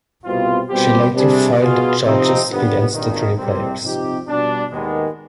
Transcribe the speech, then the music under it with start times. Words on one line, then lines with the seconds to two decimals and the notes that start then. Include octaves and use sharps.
She later filed charges against the three players.
0.25 C2 B2 G3 C4 F4
0.70 C2 B2 G3 C4 G4
1.15 C3 G3 D4 G#4
1.60 B2 B3 F4 G#4
2.05 C3 F3 C4 D#4
2.49 G1 G2 D#3 G3 B3
2.94 G#1 G2 D#3
3.38 C2 C3 G3 C4
3.83 C3 F3 C4 D#4 G4
4.28 B2 G3 D4
4.72 D#2 D#3 G#3 B3